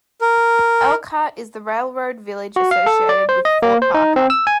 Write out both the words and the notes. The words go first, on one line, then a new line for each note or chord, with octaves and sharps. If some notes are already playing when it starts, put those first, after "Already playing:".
Elkhart is the "railroad village" associated with Fort Parker.
A#4
F#4
F5
A4
D5
C5
D#5
A#3
C5
D#4
C4
E6
G#5